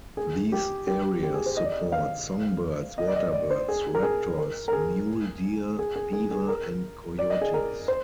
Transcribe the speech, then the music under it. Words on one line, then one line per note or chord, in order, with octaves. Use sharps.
These areas support songbirds, water birds, raptors, mule deer, beaver and coyotes.
G#4
G4
G4
G4
G#4
C5
D#5
D5
D#5
F5
D#5
D5
D#5
D5
C5
G#4
A#4
G#4
A#4
A#4
G#4
G#4
G#4
G#4
G#4
A#4
D5
D#5
G#4
A#4
C5